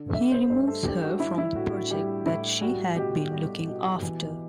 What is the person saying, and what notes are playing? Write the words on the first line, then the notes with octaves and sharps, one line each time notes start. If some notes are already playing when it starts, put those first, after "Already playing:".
He removes her from the project that she had been looking after.
Already playing: D3
A3 E5
C5
G2 C5
A4
G2 G4
F#4
G3 E4
E4
A2 F#4
F#4
G3 G4
A2 E4
G3 F#4
B2 G4
G3
B2
E3